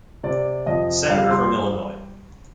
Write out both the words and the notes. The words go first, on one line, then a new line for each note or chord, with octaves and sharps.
Senator from Illinois.
C3 D5
F2 D#5
G3 F5
C6